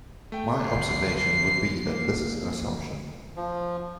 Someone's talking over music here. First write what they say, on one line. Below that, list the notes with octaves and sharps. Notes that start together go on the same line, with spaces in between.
My observation would be that this is an assumption.
A3 G5
G1 C7
A#3
F3